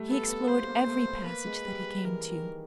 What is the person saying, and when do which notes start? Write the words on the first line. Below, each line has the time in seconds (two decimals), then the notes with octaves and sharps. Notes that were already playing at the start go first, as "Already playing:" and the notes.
He explored every passage that he came to.
Already playing: G3 A3
0.09 B3 A4
0.29 B3
0.42 A#3
0.48 B3 C5
0.68 A#3
0.88 A3
1.07 B3
1.26 A#3 B4
1.46 G#3
1.66 G3
2.04 E3 A#4
2.30 D#3